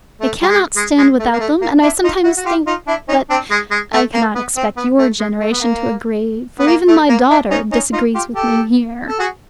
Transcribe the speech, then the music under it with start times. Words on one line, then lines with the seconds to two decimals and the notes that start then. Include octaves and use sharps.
"It cannot stand without them, and I sometimes think--But I cannot expect your generation to agree, for even my daughter disagrees with me here."
0.21 A3
0.42 G3
0.48 G#3
0.77 G#3
0.98 G#3
1.19 A3
1.33 A#3
1.40 A3
1.62 A#3
1.82 D4 E4
2.04 D#4 F4
2.24 E4 F#4
2.37 F#4
2.46 F4 G4
2.67 D#4 F4
2.87 D4 E4
3.08 C#4 D#4
3.30 C4 D4
3.51 G#3
3.71 G#3
3.93 A3
4.14 A#3
4.35 B3
4.57 C4
4.77 B3
4.99 A3
5.19 G#3
5.40 A3
5.51 B3
5.61 A#3
6.59 B3
6.67 A#3
6.88 A3
7.09 A#3
7.30 D4 E4
7.50 C#4 D#4
7.72 C#4 D#4
7.93 D#4 F4
8.15 F4 G4
8.35 G4 A4
9.08 A4
9.19 F#4 G#4